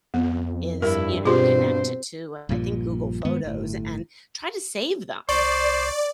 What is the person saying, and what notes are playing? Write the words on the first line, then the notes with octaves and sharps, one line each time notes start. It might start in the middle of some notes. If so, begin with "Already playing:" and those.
is, you know, connect it to, uh, I think, Google Photos and try to save them.
F2 B3
G2 E4 A#4
B2 C4 F4 G4 G#4 C5
A#1 G2 A#2 F3
G2 D#3 G#3 B3
G1 A2
C2 C5 D5 C#6